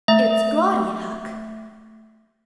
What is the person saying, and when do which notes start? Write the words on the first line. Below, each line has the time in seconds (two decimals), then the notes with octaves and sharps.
It's gaudy, Huck.
0.08 A3 E5